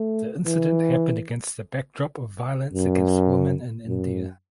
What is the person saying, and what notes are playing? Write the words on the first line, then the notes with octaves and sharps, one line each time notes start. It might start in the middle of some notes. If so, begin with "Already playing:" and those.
The incident happened against the backdrop of violence against women in India.
Already playing: A3
E3
F#2
F#2